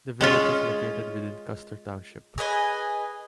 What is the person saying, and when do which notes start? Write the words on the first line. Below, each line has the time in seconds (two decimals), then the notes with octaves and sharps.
The village is located within Custer Township.
0.21 G#3 C#4 F4
2.38 G#4 B4 D#5 G#5